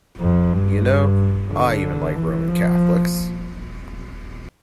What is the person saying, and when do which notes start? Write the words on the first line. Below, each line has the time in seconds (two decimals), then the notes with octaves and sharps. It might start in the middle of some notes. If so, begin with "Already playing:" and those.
You know, I even like Roman Catholics.
0.21 F2
0.53 G2
1.51 D3
2.15 E3
2.48 F3